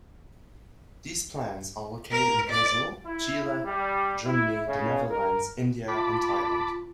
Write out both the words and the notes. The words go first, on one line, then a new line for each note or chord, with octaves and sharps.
These plants are located in Brazil, Chile, Germany, the Netherlands, India and Thailand.
A#4
D5
E4
G3
E4
C#3
A#4
F4 A5 B5 D6